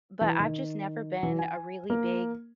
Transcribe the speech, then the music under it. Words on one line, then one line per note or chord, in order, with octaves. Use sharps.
But I've just never been a really big
E3
D#3
E3
G#5
A#3